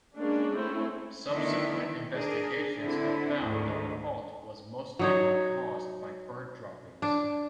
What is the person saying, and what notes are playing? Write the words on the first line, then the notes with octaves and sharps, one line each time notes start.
Subsequent investigations have found that the fault was most likely caused by bird droppings.
G#3 A#3 C#4 D4
A3 C4 C#4 E4 C5
D3 D#3 A3 B3 D4 E4
D4 G#4 A#4
D3 C4 E4
D2 G#2 D#3
F#3 D#4 C#5
D4